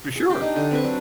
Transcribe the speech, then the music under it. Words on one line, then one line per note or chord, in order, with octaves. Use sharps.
For sure!
G#4
G4 F5 G5
D4 D#4
D3
C4 B4 C#6
F#3 D4